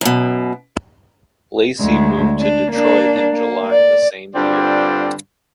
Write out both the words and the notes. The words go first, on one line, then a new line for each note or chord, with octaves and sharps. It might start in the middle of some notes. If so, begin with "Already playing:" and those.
Lacy moved to Detroit in July the same year.
F#2 B2
D2 G#3
D4
A#3 D4
A#3
D5
G2 D3 C4 F4 D5